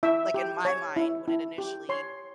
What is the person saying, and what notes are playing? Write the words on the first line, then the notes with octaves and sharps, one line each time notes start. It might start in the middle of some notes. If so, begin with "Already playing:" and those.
like, in my mind, when it initially
E4 E5
G4
C#5
E4
E4
G4
C#5 C6